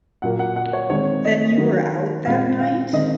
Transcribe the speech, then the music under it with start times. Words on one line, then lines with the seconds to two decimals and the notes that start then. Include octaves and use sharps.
Then you were out that night?
0.22 A#2 F#3 A#3 F#5
0.39 F#5
0.56 F#5
0.73 C#5
0.90 D#3 G#3 C4 C#5
1.25 D#5
1.58 D#3 F#3 A#3
2.26 A#2 G#3 C4 F5
2.60 F5
2.93 D#3 G#3 C4 D#5